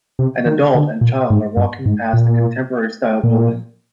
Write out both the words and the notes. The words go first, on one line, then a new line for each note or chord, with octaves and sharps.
An adult and child are walking past a contemporarystyle building.
C3
D#3
D3
A#2
G#2
G2
G#2
A#2
A#2